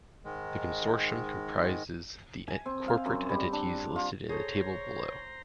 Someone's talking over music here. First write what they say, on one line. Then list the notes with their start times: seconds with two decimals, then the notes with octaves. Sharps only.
The consortium comprises the corporate entities listed in the table below.
0.25 G#2 D#3 G#3
2.48 G#5
2.66 C4
2.88 F5
3.06 F#2
3.29 G3
3.53 D4
3.96 F4
4.30 G#4 A4 C5 C#5 A#5